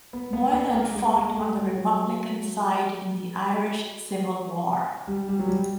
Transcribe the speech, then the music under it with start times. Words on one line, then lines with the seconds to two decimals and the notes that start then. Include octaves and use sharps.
Moylan fought on the Republican side in the Irish Civil War.
0.13 B3
0.33 B3
0.54 B3
0.74 A#3
0.95 G#3
1.16 G#3
1.36 A3
1.57 G3
1.78 F#3
5.07 G3
5.28 G3
5.39 F#3
5.48 G3